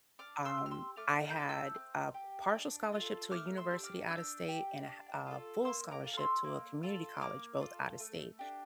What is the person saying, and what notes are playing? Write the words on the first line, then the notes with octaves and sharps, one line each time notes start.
Um, I had a partial scholarship to a university out of state and a ha uh, full scholarship to a community college, both out of state.
D4 D6 F6
C6 E6
G4
F6
C6 E6
A3 D6 F6
F6
G6
E4 A4 D6 F6
E6 G6
C4
G4
D4
F4 A4
A3 D6 F6
C6 E6
D4 G4
D6 F6
D4 E6 G6
G4
D4
F4 A4
A#3 C6 E6
A#5 D6
F4 A4
F6
C6 E6
A#3
F4 A4
A#3 D6 F6
F4 A4
A3
D4 G4